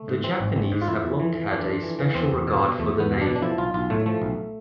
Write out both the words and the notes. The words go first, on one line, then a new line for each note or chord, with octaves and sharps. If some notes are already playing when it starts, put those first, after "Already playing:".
The Japanese have long had a special regard for the navel.
Already playing: A3
G#2
E3 C4
G#1
G#1
G#2
F4
F2 E4
F2
E3
E3
F2 D4
F2
E3
E3
E2 C4
E2
B2
B2
E2 A3
E2
B3
B2
B2 D4
D4
F3 E4
B1 F4
B1 F4
A2 A3
F3 A3
B1